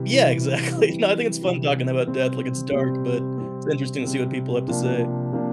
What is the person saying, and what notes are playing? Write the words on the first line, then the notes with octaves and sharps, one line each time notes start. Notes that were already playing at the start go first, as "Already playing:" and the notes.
Yeah, exactly. No, I think it's fun talking about death, like, it's dark, but it's interesting to see what people have to say.
Already playing: C3 E3 G3
C3 E3 G3
C3 E3 G3
C3 E3 G3
C3 G3 C4
C3 G3 C4
C3 G3 C4
C3 G3 C4
C3 F3 A#3 D4
C3 F3 A#3 D4